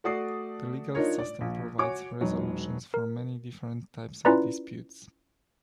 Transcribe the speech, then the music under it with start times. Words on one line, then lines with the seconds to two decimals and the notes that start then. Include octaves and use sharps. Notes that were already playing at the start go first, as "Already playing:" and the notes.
The legal system provides resolutions for many different types of disputes.
0.04 A3 F#4 D5 D#6 C7
0.95 D4 D#4 F4 A#4 C#5
1.19 D5
1.41 A#1
1.78 F#4 C#5 G#5 D6
2.21 E1 F#3 D#4
2.94 A#4
4.25 C#4 E4 F4 B4 D5 A#5